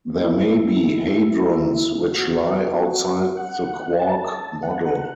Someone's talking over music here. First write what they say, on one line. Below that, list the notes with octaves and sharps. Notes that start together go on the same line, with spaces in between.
There may be hadrons which lie outside the quark model.
E4
F#4
F#4
F#5
A5
F#5